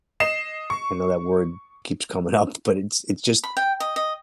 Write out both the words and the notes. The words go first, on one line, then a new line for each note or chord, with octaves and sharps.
I know that word keeps coming up, but it's it's just
D#5 C7 E7
C#6
B5
G5
D#5
D#5